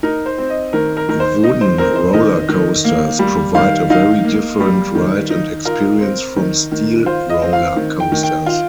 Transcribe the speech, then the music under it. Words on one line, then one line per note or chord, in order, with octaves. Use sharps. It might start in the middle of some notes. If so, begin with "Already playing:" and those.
Wooden roller coasters provide a very different ride and experience from steel roller coasters.
D#4 A#4
C5
C4
D#5
D#3 A#4
A#4
D#3 A#4
C5
D#4 D#5
C5
C4 A#4
C5
D#3 D#5
D#3
A#3
G3
D#3 F5
D#4 F5
A#3
G3
D#3
D#4
F4 A#4
C4
D#3
D#3
F4 C5
D#5
C4
F5
D#3
G5
D#3
G5
F4